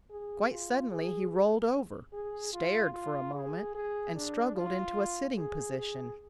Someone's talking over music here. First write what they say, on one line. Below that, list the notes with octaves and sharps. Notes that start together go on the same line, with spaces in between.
Quite suddenly he rolled over, stared for a moment, and struggled into a sitting position.
G#4
F4
G#4
G#4
F4
F4
G#4
G#4
D4
F4
G#4
G#4